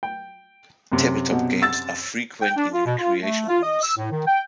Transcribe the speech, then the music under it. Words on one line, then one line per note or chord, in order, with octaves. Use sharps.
Tabletop games are frequent in recreation rooms.
G5
F#2 C3
B2
E6 A6
G5
D4
F4
B2
F4
A3
F4
D#5
E6
A2
D#3
G5